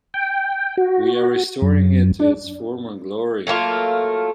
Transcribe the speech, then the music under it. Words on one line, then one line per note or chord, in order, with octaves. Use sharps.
We are restoring it to its former glory.
G5
F#4
F#2
D4
F#3 A3 A#3 F4